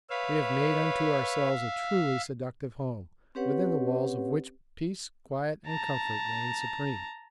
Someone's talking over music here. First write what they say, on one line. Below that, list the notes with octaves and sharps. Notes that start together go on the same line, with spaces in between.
We have made unto ourselves a truly seductive home, within the walls of which peace, quiet, and comfort reign supreme.
B4 C#5 E5 F5
C4 C#4 G4 B4 C#5 F#5
A5 A#5